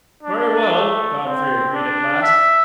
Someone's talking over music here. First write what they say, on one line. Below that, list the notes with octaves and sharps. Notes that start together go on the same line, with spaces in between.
"Very well," Godfrey agreed, at last.
D4
A3
C4
D4
E5